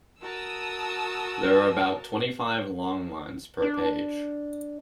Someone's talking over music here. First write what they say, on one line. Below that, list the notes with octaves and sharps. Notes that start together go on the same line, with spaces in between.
There are about twenty-five long lines per page.
F#4 A#4 A5 D#6 E6
D4